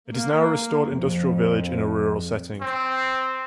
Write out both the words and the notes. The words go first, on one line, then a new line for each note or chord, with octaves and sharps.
It is now a restored industrial village in a rural setting.
A#3
F2
C4